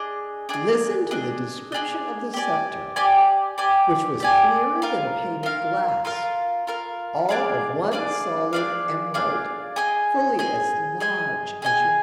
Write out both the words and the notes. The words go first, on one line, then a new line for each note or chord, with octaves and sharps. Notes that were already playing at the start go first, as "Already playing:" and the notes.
Listen to the description of the sceptre, which was clearer than a pane of glass, all of one solid emerald, fully as large as your fist.
Already playing: D4 G#4 D#5
D4 G#4 D#5
D4 G#4 D#5
D4 G#4 D#5
G4 D5 G#5
G4 D5 G#5
G4 D5 G#5
G4 D5 G#5
F4 A#4 F5
F4 A#4 F5
F4 A#4 F5
F4 A#4 F5
D4 G#4 D5 F5
D4 G#4 D5 F5
D4 G#4 D5 F5
D4 G#4 D5 F5
G#4 D#5 G#5
G#4 D#5 G#5
G#4 D#5 G#5
G#4 D#5 G#5